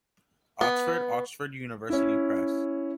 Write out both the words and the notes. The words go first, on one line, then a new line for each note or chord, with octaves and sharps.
Oxford: Oxford University Press.
B3
C#4 E4